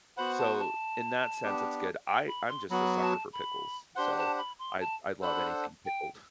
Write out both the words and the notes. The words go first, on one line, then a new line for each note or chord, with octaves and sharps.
So in that sense, it's good. I I'm just a sucker for pickles. So I I love anything pickled.
B3 F#4 C5 F#5 B5
A5
A5
B3 D4 G4
G5
B5
C6
F#3 B3 F#4 B5
A5
B5
D4 G4 C5 F#5 C6
A5
B5
C6
A5
D4 A4 C5 F#5 B5
G5